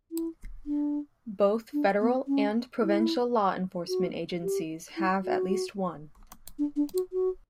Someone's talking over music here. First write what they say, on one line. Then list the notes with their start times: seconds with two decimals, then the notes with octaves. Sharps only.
Both federal and provincial law enforcement agencies have at least one.
0.12 E4
0.66 D4
1.73 D4
2.01 B3
2.28 C#4
2.81 E4
3.89 F#4
4.43 G4
4.97 E4
5.23 F#4
6.59 D4
6.76 D4
6.94 F#4
7.13 F#4